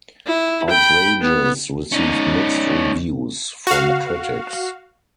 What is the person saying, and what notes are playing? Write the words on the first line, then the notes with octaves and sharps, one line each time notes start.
"Outrageous" received mixed reviews from critics.
E4
G5 B5
B3
C#4 D#4
F#4 F5